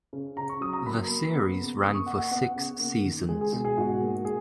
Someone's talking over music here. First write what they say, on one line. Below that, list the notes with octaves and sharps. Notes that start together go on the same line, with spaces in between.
The series ran for six seasons.
C#3
C#3 A#5
C#6
F#3 D#6
A#5
A#3 B5
A#3
B3
C#3
A#3 D#6
C#6
A#3 F#5
F#5
B3 F#5
C#3
A#3
D#3
G#3 G#4
G#4
B2 G#4
G#4
G#2 F#4
A#3
G#4